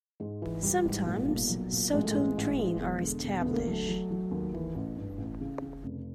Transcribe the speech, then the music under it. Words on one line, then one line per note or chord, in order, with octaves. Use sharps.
Sometimes "sotto 'ndrine" are established.
G#2 G#3
E3
E3 G3
G#2
A#2
B1
F#3
A#2
A1 G#3
A3
A1 G#3
A1
E3
E1
D3
E1
D2 B3
A#3
F#3 A3
F#3
F#3
D#2
E3
A1
G2
A1
C#3
C#3
F1